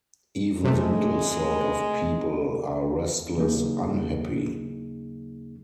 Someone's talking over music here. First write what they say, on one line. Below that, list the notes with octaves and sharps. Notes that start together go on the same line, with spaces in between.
Even the middle sort of people are restless unhappy.
C3 G#3 A3
D#2 C#3 F#3 A#3 D#4 G#4